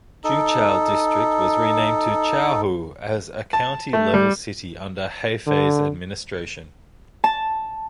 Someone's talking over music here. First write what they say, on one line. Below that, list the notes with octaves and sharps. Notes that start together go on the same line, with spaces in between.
Juchao District was renamed to Chaohu as a county-level city under Hefei's administration.
D#4 A4
A5
A3
G3
D3
A5